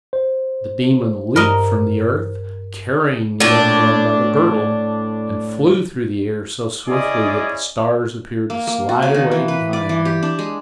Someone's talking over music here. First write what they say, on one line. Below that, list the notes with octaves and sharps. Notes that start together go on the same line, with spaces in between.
The Demon leaped from the earth, carrying the young man by the girdle, and flew through the air so swiftly that the stars appeared to slide away behind them.
C5
G2 A#4 D#5
A2 D4
C#4 E4 G#4 D5 D#5
A#3
A#3
F#4
C#3
D#3
E3
B4
D5
E3
G4
D4
G#3